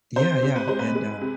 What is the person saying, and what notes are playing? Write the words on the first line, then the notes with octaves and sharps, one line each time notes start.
Yeah, yeah, and, uh
C3 C5
C3
B4
G#3 C5
B4
G#3
C3